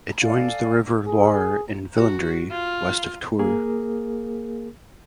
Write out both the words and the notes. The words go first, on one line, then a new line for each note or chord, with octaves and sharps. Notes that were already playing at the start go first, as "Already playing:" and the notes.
It joins the river Loire in Villandry, west of Tours.
A4 D5 F5 G#5
G#4
F#4
F4
A#3 G#4 A#4